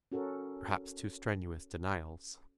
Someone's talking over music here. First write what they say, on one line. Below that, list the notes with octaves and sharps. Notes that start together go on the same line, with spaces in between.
Perhaps too strenuous denials.
C#4 F#4 A4 A#4